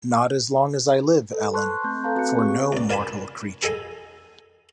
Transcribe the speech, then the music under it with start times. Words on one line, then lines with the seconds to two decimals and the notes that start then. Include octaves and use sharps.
Not as long as I live, Ellen: for no mortal creature.
1.32 A4 B4 C5
1.54 A5 C6 C#6 F#6
1.84 A3 C4 G6
2.04 A4 B4 F5 A5 A#5
2.16 C4 F#4 B4 F#6 C#7
2.39 G4 G#4 C#6
2.72 C#2 D5
2.90 A#4 D5 G#5 A5 B5
3.63 G#4 A4 D#5 G#5